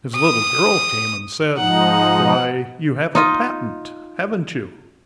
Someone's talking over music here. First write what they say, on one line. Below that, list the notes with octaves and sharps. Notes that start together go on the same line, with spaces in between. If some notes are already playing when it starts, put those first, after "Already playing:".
His little girl came and said, "Why, you have a patent, haven't you?"
D#6
G#2 F3 D#4 F#5
D#4 F4 D#5